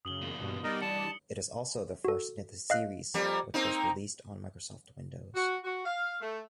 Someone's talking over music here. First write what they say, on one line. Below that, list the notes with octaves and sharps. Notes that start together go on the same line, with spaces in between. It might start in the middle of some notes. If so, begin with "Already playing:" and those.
It is also the first in the series which was released on Microsoft Windows.
F#2 C#3 D#6 F#7 G7
E2 A#2
G2 B2
B2 G3 D#4 A#4 D5 D#5
E3 D4 A5 C#7
F#4 A4
D#5 F5 F#6
F2 G3 A#3
A#3 C4 D#4
F#4
F#4
F5
A3